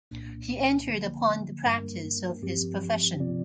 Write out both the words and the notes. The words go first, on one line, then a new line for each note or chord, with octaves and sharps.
He entered upon the practice of his profession.
C2 A#2 A#3 D4
D3 F3 A#3
G2 G3 A#3 D4 A#4
G2 F3 C4 G4
C3 F3 C4 F4 D5